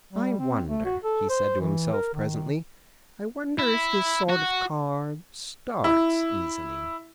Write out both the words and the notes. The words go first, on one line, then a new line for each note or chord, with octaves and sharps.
'I wonder,' he said to himself presently, 'I wonder if this sort of car STARTS easily?'
G3
C4
A3
F#4
A4
C5
E3
A#4
D#3
E4
F#4
E4